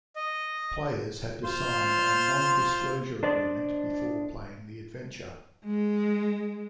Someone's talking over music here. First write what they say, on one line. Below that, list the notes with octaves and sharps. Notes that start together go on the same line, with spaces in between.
Players had to sign a non-disclosure agreement before playing the adventure.
D#5
F4 C5
D4 C5 D5 D#5
G#3